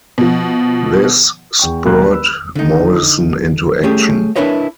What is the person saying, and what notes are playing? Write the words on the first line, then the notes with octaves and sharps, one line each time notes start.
This spurred Morrison into action.
B2 F3
E2 G5 C#6
E1 D#2 A#3 G#4 G5 F#6
B5 E6
D3 D#4
A3 C#4 G4 G#4
D4 E4 A#4 B4 C#5 D#5